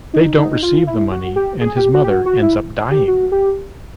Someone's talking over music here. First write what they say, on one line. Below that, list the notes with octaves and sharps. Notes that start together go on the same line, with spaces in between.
They don’t receive the money and his mother ends up dying.
D#4
D#4
F4
E4
F#4
G4
G#4
G4
F#4
G4
F#4
F#4
E4
G4
F#4
G4